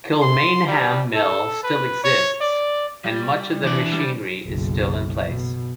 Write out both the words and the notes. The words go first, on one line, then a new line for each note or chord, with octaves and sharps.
Kilmainham mill still exists and much of the machinery is still in place.
C6
G3
A4
B4
C#5
D5
G3
E3 D4 D5
G3
F#1 B1
B2